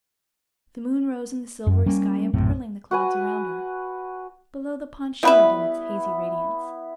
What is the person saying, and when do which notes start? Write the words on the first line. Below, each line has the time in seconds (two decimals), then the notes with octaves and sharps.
The moon rose in the silvery sky, empearling the clouds around her. Below, the pond shimmered in its hazy radiance.
1.67 F#2
1.86 G3 A#3 C#4
2.34 A#1 F#2 A2 C3
2.91 F#4 B4 G#5
5.23 G3 B3 E4 B4 E5